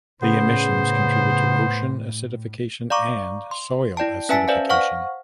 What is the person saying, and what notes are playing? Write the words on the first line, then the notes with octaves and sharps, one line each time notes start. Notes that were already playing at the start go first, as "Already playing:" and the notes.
The emissions contribute to ocean acidification and soil acidification.
A2 C#3 B3 C5
D5 F5 A#5 C#6 D6
C6
E4 D5 G5 A5
C#4 B4 E5 G#5 A5 B6
B4 C5 D5 F5 G#5
C5 F5 F#5 C#6 F6